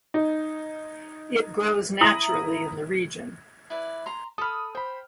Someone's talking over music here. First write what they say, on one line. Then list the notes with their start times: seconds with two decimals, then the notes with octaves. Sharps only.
It grows naturally in the region.
0.14 D#4
2.01 E4 A#5 D#6 F#7
3.70 E4 B4 D5
4.06 A#5 C6
4.38 A4 B5 D#6 F6
4.75 C5 G5 B5